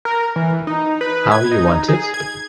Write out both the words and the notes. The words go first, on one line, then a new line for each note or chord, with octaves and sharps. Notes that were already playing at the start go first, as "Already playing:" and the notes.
How You Want It?
A#4
E3
D#4
B4
G#6
D#4
G#4
G#6